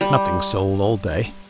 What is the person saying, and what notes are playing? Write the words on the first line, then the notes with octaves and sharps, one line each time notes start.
Nothing sold all day.
G3